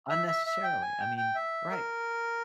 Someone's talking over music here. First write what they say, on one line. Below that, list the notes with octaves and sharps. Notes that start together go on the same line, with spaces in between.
unnecessarily, I mean, right.
E5
E5
E5
G5
G#5
G5
G5
E5
A#4